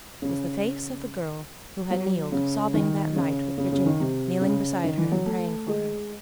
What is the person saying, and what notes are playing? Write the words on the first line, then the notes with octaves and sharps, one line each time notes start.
It was the face of the girl who had kneeled sobbing, that night with Virginia kneeling beside her and praying for her.
C#3
F#3
C#3
D#3
C#3
C#3
C#3
D#3
C3
C#3
D#3
E3
F#3
A3
G#3